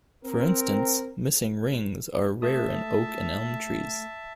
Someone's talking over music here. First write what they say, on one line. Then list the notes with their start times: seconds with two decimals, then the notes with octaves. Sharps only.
For instance, missing rings are rare in oak and elm trees.
0.24 C4 A#4
2.42 A3 E5 A5 D#6